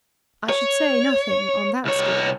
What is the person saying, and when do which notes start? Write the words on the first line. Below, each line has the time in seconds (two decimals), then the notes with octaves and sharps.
"I should say nothing,--on that score."
0.49 C#5
1.85 C2 C#5